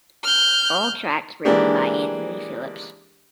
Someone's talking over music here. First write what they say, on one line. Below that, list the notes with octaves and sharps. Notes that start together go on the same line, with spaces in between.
All tracks written by Anthony Phillips.
F6 G6
E3 G#3 A#3 D4 G4